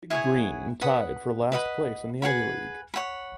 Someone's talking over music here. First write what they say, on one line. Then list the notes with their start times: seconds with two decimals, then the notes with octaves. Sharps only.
The Big Green tied for last place in the Ivy League.
0.10 E4 G#4 C#5 F#5
0.81 B4 F#5 B5 D#6
1.52 B4 D#5 F#5 B5
2.22 G#4 B4 F#5 B5
2.94 C#5 F#5 B5